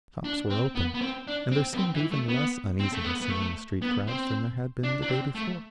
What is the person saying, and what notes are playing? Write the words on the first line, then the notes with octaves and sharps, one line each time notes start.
Shops were open, and there seemed even less uneasiness among the street crowds than there had been the day before.
D4
C4
B3
B3
C4
D4
C4
B3
C4
E3
A3
B3
C4
A3
B3
B3
A3
B3
C4
D4
D4
C4
A3